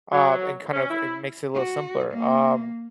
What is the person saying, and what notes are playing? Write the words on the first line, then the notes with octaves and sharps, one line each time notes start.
um, and kind of it makes it a little simpler. Um,
F#3
C#4
E4
F#4
A#3